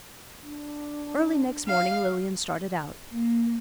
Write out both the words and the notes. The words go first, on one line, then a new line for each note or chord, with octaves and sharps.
Early next morning Lilian started out.
D4
F5
A#3